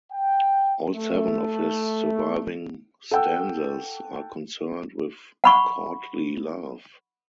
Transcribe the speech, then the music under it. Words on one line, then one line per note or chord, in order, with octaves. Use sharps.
All seven of his surviving stanzas are concerned with courtly love.
G5
A3
A4 F#5 G5 E6
F#5 B5 C#6